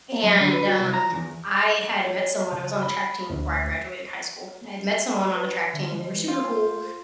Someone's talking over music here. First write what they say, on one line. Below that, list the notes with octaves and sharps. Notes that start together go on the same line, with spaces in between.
and, um, I had met someone I was on the track team before I graduated high school. I had met someone on the track team, they were super cool,
F#3
D3
B4
F#4
C2
A#5
E2
C#5
C#3
B5
D2
B4
D3
G#3
E3
F4 C5